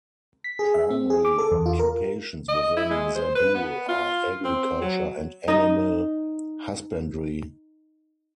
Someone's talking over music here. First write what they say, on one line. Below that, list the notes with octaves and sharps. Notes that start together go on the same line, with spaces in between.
Primary occupations within Zabul are agriculture and animal husbandry.
B6
G#4
E5
C4
G#4
D6
A4
E2
F4
A#4
D#5
E4
G#3
C5
B4
B3
F4
C4
F#3
D#4 D#5